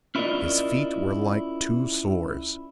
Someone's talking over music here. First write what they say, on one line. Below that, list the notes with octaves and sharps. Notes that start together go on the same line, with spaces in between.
His feet were like two sores.
C#4 E4 F4 A#4 D5 D#5